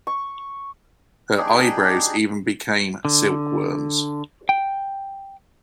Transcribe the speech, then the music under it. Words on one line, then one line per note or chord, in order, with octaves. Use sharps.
Her eyebrows even became silkworms.
C#6
D4 D#4 G4 G#4
D3
G5